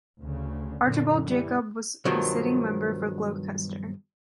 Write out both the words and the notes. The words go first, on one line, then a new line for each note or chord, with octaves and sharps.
Archibald Jacob was the sitting member for Gloucester.
D2 C#3
F#2 A#2 D3
E3 G3
G2 B2 D#3 F3 F#3